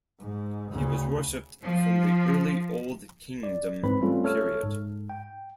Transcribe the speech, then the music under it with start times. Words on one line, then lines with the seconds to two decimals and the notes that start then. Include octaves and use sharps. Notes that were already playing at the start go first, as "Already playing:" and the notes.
He was worshipped from the early Old Kingdom period.
0.18 G#2
0.72 D2 C#3
1.62 F3
3.43 D5
3.83 G#2 E3 C4 B4 B5
4.01 G3 A3 C4 C#4 F4 A4
4.24 A4 C#5 E5 F6
4.64 G#2
5.10 G5